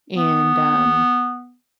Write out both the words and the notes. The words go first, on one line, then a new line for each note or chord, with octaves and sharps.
and, um
B3